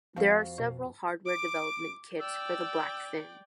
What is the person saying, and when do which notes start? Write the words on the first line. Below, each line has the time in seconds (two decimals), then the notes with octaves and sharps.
There are several hardware development kits for the Blackfin.
0.16 F2 F3 C4 F#4 F5
0.58 B2
1.26 D6 D7
2.20 D5 G5 E6